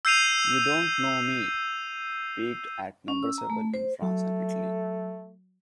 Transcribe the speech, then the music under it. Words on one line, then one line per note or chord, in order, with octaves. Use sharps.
"U Don't Know Me" peaked at number seven in France and Italy.
E6 G6 C7 D#7 F7
C#4
E6
A#5
A3
C5
F#3 A3